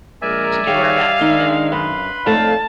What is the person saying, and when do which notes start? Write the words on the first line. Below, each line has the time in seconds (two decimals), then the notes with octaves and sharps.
to do our best to
0.22 A#1 G#3 A#4 D5 E5 G#5
0.67 D#3 G3 G#4 C#5 F5
1.21 D#3 G#3 D4 D#4
1.72 F#2 B4 B5 C6
2.26 F2 G#2 A3 C#5 D5 F5 A5